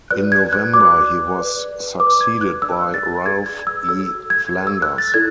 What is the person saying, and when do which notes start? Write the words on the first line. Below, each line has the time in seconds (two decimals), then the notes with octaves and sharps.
In November he was succeeded by Ralph E. Flanders.
0.11 F#4 B4 D5 F#6
0.32 G#6
0.53 F#6
0.74 F#4 B4 D5 D6
1.36 G#4 B4 D5
1.99 G#4 B4 D5 D6
2.21 G#6
2.41 F#6
2.62 D4 G#4 B4 D5 E6
2.94 A6
3.25 D4 G#4 B4 D5 G#6
3.46 G#6
3.67 E6
3.88 F#4 A4 C#5 E6
4.30 G#6
4.51 F#4 A4 C#5
4.67 E6
4.82 F#6
4.98 A6
5.14 E4 A4 D5 G#6